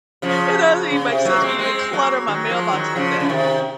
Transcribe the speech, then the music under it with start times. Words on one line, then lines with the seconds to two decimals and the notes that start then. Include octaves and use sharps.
it doesn't even make sense for you to clutter my mailbox with that,
0.22 C#3 F3
0.90 C#3
1.08 C3
1.25 F#3 A#3
1.42 G#3 C4
1.59 G#3 C4
1.93 F#3 A#3
2.28 D#3 F#3
2.50 F3 G#3
2.73 D#3 F#3
2.96 C#3 F3
3.20 C#3
3.29 C3 D#3